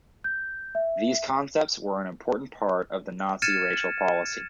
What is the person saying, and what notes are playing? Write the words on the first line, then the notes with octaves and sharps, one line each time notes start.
These concepts were an important part of the Nazi racial policy.
G6
E5
F6 G#6 A6 C#7 D#7 E7